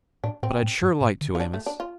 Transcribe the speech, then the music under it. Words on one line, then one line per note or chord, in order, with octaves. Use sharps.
But I'd sure like to, Amos.
A2 D4
A2 C4
A2
G2
A2
D3
F4
D4
A3
D4
F4